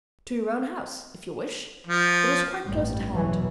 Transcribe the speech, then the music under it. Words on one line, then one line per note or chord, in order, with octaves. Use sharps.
"To your own house, if you wish--it is quite close at hand."
F3
A1 G2 G3
E2 B2 E3 F#3